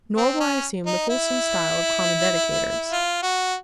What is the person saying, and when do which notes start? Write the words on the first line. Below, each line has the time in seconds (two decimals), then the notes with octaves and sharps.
Nor will I assume the fulsome stile of common dedicators.
0.17 C4
0.40 C#4
0.86 D#4
1.09 E4
2.92 F4
3.23 F#4